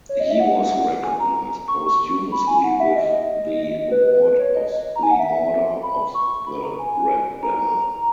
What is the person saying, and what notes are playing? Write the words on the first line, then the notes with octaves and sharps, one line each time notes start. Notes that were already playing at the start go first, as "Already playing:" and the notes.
He was recognized posthumously with the award of the Order of the Red Banner.
C#5
D#5
E5
F#5
G#5
A#5
C#6
B5
G#5
F#5
E5
D#5
B4
B4
B4
C#5
D#5
A#5
G#5
F#5
E5
B5
C#6
B5
A#5
G#5
A#5